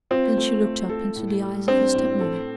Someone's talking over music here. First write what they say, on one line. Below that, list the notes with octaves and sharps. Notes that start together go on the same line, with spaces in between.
Then she looked up into the eyes of her step-mother.
C4 F4
A3
A3
A4
A2
G3
C4 D4
A2
A4